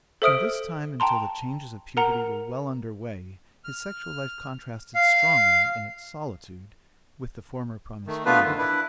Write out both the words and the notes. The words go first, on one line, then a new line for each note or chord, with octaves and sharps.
From this time until the changes of puberty were well under way his sexual life contrasted strongly, in its solitude, with the former promiscuity.
A4 C5 E5 D#6 F6 D7
G5 A5 A#5 C6
A#4 F#5 A#5
F6
F5
D#3 A3
A3 B3 D4 F4 B4
D3 D#3
D4 E4 B4